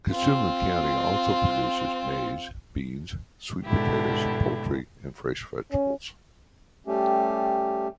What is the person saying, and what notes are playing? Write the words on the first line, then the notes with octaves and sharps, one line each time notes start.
Kisumu County also produces maize, beans, sweet potatoes, poultry and fresh vegetables.
C4 F4
G#2 B2 D3 E4 G4
C#4
G3 A3 C#4 G4